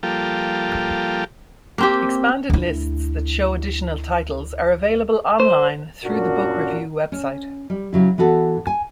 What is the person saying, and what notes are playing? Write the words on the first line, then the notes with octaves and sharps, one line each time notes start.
Expanded lists that show additional titles are available online through the Book Review website.
F3 G3 A#3 F4 G4 A4
A#3 C4 G4
D2 E4
C5
F#2 A#2 D4 F#4 A#4
C#4
G3
C#3 F#3 E4
E3 B3 F#4 A4
G#5